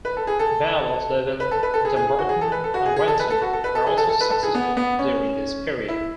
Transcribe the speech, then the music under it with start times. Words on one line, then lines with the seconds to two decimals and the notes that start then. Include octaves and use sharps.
Vale of Leven, Dumbarton and Renton were also successful during this period.
0.05 B4
0.17 A4
0.27 G#4
0.39 A4
1.40 B4
1.51 A4
1.63 B4
1.74 A4
1.85 G#4
1.96 G#4
2.07 G#4
2.19 F#4
2.29 G#4
2.41 A4
2.52 B4
2.64 A4
2.74 F#4
2.86 G#4
2.96 G#4
3.08 A4
3.20 B4
3.30 A4
3.42 F#4
3.53 A4
3.64 B4
3.75 A4
3.87 G#4
3.97 A4
4.09 A4
4.21 B4
4.31 A4
4.43 G#4
4.55 B3
4.77 B3
4.99 C#4
5.88 E4